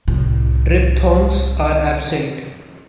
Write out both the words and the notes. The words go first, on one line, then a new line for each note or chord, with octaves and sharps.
Triphthongs are absent.
C2 A2